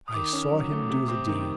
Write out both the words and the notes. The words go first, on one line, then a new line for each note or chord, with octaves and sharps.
I saw him do the deed.
D#6
D#3 D6
C#4
F#3
A3
C3
C4 D6
D#3